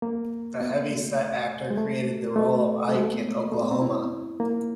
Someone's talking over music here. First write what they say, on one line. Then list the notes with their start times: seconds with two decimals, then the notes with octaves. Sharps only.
The heavy-set actor created the role of Ike in Oklahoma!
0.02 A#3
0.61 B3
0.70 A#3
0.90 A3
1.70 G#3
1.77 A3
2.36 A3
2.89 A3
2.94 G#3
3.04 A3
3.13 B3
3.44 A#3
3.52 A3
3.62 B3
3.71 C4
3.81 E4
4.40 A#3